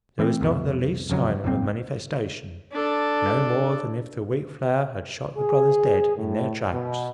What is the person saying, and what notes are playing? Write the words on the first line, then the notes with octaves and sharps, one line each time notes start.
There was not the least sign of a "manifestation"--no more than if the wheat-flour had shot the "brothers" dead in their tracks.
E3 A3 A#3 C4
C2 F2 B2
E1 F2 C#3 F#3
C2 F#2 A#2 C4
D4 A4
G#4
A2
B2